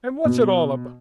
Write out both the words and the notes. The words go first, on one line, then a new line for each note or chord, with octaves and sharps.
"And what's it all about?"
B2